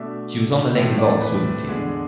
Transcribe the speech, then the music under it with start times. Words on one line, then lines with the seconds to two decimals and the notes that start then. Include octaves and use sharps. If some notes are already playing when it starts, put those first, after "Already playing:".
She was on the Lady Vols swimming team.
Already playing: B2 A3 D4 E5
0.75 A2 E3 A3 C4
0.98 D5
1.22 B4
1.68 E2 D3 G#3 D4 G#4